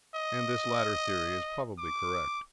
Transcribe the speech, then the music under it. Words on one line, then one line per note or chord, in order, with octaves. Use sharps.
And this latter theory is probably correct.
D#5
D6